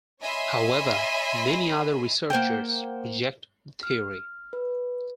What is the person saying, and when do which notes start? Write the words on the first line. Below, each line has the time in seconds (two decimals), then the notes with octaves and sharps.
However, many other researchers reject the theory.
0.22 C#5 D#5 E5 G#5 B5 C6
2.30 A#3 C5 F#5 G5
3.83 F6
4.53 B4